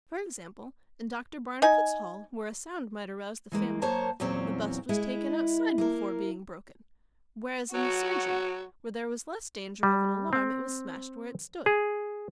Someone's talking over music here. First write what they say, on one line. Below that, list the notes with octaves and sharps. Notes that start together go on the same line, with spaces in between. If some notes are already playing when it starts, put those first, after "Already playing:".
For example, in Dr. Barnicot's hall, where a sound might arouse the family, the bust was taken outside before being broken, whereas in the surgery, where there was less danger of an alarm, it was smashed where it stood.
D#4 G#5
E3 G#3 A#3
F#2 A#3 C5 C#5 A5 A#5
E2 A#2 F#3 C4 C#4
G#3 E4
A#3 E4 A#4
F#3 F#4
G3
C4
G#4